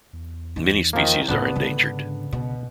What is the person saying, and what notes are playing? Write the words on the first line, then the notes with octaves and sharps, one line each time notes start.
Many species are endangered.
E2
E3 D#4
D#3 F3 A#3
F#2 A2 C#3 B3 D4
G#2 D3
B2